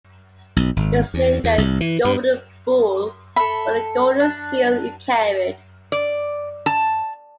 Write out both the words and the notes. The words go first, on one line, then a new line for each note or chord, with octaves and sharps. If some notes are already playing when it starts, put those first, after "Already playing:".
It was named the "Golden Bull" for the golden seal it carried.
B1
G#1
E2
E2
C2
E3
G2
A4 E5 B5
D4
D5
A5